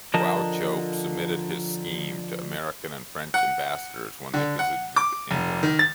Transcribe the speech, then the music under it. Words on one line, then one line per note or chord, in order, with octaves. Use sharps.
Wauchope submitted his scheme to American and French ambassadors when they visited England.
D3 F3 A#4 D#5 A5
F#5
D3
F#5
D6
F1
D#3
A6